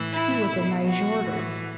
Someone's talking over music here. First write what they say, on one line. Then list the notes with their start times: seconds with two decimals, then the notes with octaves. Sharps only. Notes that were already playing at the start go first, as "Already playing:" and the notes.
He was a Nyjorder.
Already playing: A2 E3
0.12 E4
0.49 B2
0.85 F#4
1.22 A2 E3